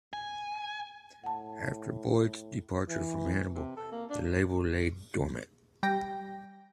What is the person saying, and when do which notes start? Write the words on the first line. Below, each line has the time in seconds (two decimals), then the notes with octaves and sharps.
After Boyd's departure from Hannibal the label lay dormant.
0.13 G#5
1.24 A2 F#5 A5
2.89 E3
3.55 C3
3.77 A4
3.92 A#3
4.10 D4
5.83 G3 G5 A#6